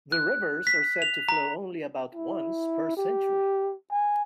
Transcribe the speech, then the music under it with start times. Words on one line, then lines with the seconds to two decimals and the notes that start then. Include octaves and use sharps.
The rivers are said to flow only about once per century.
0.12 F#6
0.67 B6
1.02 F7
1.29 A#5
2.15 E4
2.97 G4
3.91 G#5